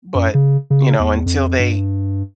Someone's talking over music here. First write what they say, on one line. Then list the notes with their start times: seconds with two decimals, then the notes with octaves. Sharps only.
but, you know, until they
0.15 F#2
0.34 C#3
0.70 C#3
1.00 E2
1.26 F2
1.59 G2